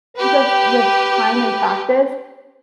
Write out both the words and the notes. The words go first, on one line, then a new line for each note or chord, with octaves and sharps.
just, with time and practice
G4 B4